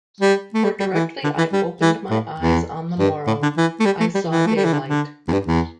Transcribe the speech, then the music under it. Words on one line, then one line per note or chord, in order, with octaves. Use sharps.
For directly I opened my eyes on the morrow, I saw daylight.
G3
A3
G3
G3
E3
D3
E3
G3
E3
A2
E2
G2
A2
D3
E3
A3
G3
A3
G3
E3
A3
G3
E3
D3
D3
E2
G2
E2